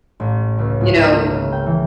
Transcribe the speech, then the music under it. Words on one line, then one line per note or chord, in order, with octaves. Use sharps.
you know
A1
C#2
G#1
A#3
C#3
G5
E3